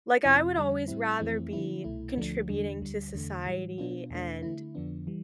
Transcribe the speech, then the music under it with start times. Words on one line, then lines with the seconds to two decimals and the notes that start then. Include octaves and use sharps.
Like, I would always rather be contributing to society and
0.23 F2 C3 F3 C4 E4
0.56 F2 D3 G3
0.88 A2 G3 C4 E4
1.20 F2 E3 A3 C4 E4
1.53 D3 F3 B3 E4
1.84 C2 B2 A3 E4
2.17 D2 D3 F3 A3 D4
2.49 E2 D3 G3 D4
2.82 D2 D3 G3
3.14 E2 D3 A3
3.46 A2 E3 G3
3.78 B2 B3 D4 F4
4.10 E2 B2 A3 D4
4.42 D3 A3 E4
4.75 F2 D3 F3 B3 D4
5.07 E3 G3